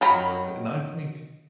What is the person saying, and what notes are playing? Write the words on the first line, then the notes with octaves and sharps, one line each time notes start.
for and I think
D#3 F#3 B5